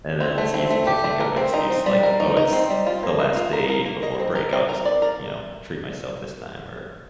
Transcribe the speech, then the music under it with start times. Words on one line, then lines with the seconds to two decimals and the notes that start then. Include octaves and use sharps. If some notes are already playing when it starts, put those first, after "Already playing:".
And then it's easy to think of excuse like, "Oh, it's the last day before break. I'll just, you know, treat myself this time," or,
0.21 C4
0.38 A3
0.54 C4
0.70 A3
0.87 G4
1.04 A3
1.20 A#4
1.37 C4
1.54 D#4
1.71 C4
1.86 G3
2.03 A#4
2.20 D#4
2.37 D#4
2.53 C4
2.70 G3
2.87 F4
3.03 A#3
3.19 D#5
3.36 F4
3.53 A#4
3.69 A#4
3.86 A#3
4.03 D#5
4.20 C4
4.36 A#4
4.53 C4
4.69 A#4
4.85 D5
5.02 A#4